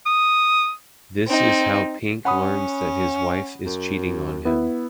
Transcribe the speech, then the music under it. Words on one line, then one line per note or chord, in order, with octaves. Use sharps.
This is how Pink learns that his wife is cheating on him.
D#6
C4 D#4
C#4 F#5 B5 D#6
F#2
B3 E4